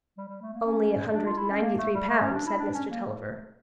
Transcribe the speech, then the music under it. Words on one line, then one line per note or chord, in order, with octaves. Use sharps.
"Only a hundred and ninety-three pound," said Mr. Tulliver.
G3
G3
A3
A#3
C#4
D4
F4
E4
C#4
A#3
A3
G3
A3
C#4
D4
E4
D4
C#4
A#3